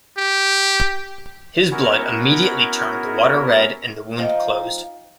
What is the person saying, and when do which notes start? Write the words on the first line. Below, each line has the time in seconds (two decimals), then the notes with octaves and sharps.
His blood immediately turned the water red and the wound closed.
0.17 G4
1.72 B3 C#4 E4 F#4 A#4
4.18 F3 D#4 F5 G5